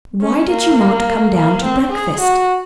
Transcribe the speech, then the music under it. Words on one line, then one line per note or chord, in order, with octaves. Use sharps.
Why did you not come down to breakfast?
C#4
A#3
A#3
C4
G#4
F#4